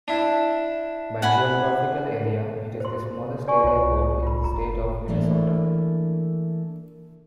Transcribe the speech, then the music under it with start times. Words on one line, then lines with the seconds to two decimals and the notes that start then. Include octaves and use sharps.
By geographical area, it is the smallest area code in the state of Minnesota.
0.08 D4 E4
1.22 F#5 G#5 B5
2.80 C5 C6
3.48 D5 G#5 C#6
3.64 C2 F4 C#5
4.23 F4 B5
4.44 F#1 A#5
5.08 E3 A3 A#3 D4 E4